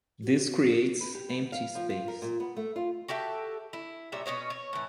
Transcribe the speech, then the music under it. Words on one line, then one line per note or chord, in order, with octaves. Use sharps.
This creates empty space.
F#4
B4
G4
B3
F5
F3
F4
A#4
A#2
B3
A3
F4
F#4 G4 A4 E5
E4
A#2 G3 C#5 E5
B2 C#4 C#5 D#5
C#5
A2 E3